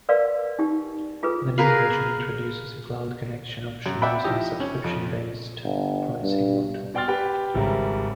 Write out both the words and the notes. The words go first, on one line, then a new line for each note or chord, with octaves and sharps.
The new version introduces a cloud connection option using a subscription-based pricing model.
A#4 B4 D5 F5
D#4 G4
F4 G#4 A4 B4
G#4 A#4 B4 F5
F#2
D5 E5 F#5 G5 B5
F3 D#4 E4 G4 D#5
C#4
F2
G1
G2
B2 D5 G5 C6 F6 A6
G4 B4 G5
G#1 C#3 G3 E5 A#5